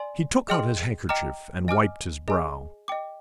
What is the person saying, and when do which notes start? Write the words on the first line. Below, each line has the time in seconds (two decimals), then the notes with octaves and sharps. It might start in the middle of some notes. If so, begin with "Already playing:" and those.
He took out his handkerchief and wiped his brow.
Already playing: D5 G#5 C6
0.49 G#4 D#5 G5 C6 F6
1.09 D#5 G5 A#5 D6 F6
1.68 D#5 G#5 D6 F6
2.28 G#4 D#5 G#5
2.88 D#5 G5 D6